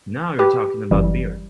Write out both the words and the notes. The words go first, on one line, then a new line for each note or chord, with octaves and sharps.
Now you are talking about beer!
G4 B4
G1 F#2 E3 G3